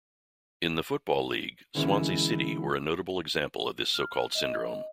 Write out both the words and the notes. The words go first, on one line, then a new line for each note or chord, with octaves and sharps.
In the Football League, Swansea City were a notable example of this so-called syndrome.
D3 E3 G#3 A#3 C#4 E4
F6
D#5